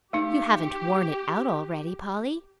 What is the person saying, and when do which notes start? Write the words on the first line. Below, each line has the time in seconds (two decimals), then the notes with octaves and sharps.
"You haven't worn it out already, Polly?"
0.13 A3 D#4 G4